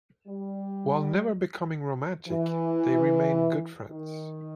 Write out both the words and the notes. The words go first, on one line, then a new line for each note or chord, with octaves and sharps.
While never becoming romantic, they remained good friends.
G3
E3
D#3